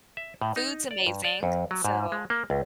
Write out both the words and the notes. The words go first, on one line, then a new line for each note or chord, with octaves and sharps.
Food's amazing, so
E5
A2
D#4
D5
G2
D5
F2
F#3
G#2
G#3
A#3
C#2